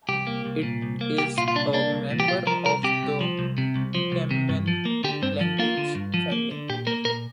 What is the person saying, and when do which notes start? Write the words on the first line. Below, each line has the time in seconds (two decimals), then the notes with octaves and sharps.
It is a member of the Taman language family.
0.09 C2 G4
0.27 A#3
0.46 C2
0.63 A#2
0.82 C2
1.01 A#3
1.18 C2 G4
1.37 A#2 F4
1.48 F4
1.55 C2 D4
1.73 A#3 D4
1.92 C2
2.10 A#2
2.20 G4
2.28 C2 F4
2.47 F3 A#4
2.65 C2 A#4
2.83 C3 G4
3.03 C2
3.21 F3
3.39 C2
3.58 C3
3.76 C2
3.95 F3
4.12 C2
4.31 C3
4.49 G2
4.68 F3
4.85 A#3
5.04 D3 G4
5.22 G2 C4
5.41 F3
5.59 A#3 F4
5.77 D3
5.95 G2
6.14 F3
6.32 A#3
6.51 D3
6.69 A#2 G4
6.87 A#3 A#4
7.05 A#2 A#4